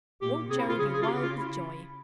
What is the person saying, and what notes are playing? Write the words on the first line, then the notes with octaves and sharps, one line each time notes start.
Won't Gerry be wild with joy?
A#2 G4
C3 G#4
E4
F4
C#3 G#4
G#4
F4
G4
F4
E4